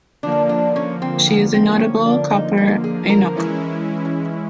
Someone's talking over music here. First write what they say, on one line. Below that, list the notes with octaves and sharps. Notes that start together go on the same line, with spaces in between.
She is a notable Copper Inuk.
D3 F3 A#3 D4
D4
C#4
C4
B3
C4
C#4
D4
D#4
D#4
G#4
A#4
E3 G#3 C#4 E4